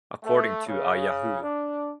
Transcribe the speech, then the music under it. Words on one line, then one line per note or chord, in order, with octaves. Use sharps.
According to a Yahoo!
A3
C#3
D4